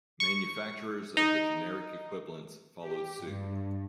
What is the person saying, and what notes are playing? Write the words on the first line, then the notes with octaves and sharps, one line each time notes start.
Manufacturers of the generic equivalents followed suit.
C#6
D#4
G4
G2